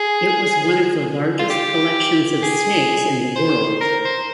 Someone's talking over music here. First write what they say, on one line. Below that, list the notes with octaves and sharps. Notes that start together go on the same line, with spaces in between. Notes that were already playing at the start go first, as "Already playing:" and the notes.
It was one of the largest collections of snakes in the world.
Already playing: G#4
F4
G4
G#4
C5
A#4
C5